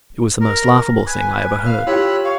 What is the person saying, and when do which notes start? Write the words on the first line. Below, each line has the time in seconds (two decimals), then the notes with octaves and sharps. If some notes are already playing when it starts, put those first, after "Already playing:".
It was the most laughable thing I ever heard.
0.41 A#4
1.07 B4 G#5
1.66 F5
1.87 F4 G4 C#5 B5 E6 F#6
2.25 C#5 F5